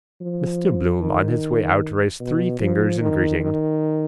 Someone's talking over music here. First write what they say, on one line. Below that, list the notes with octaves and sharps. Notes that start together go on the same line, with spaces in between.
Mr Bloom on his way out raised three fingers in greeting.
F3
D#3
B2
F3
D#3
D#3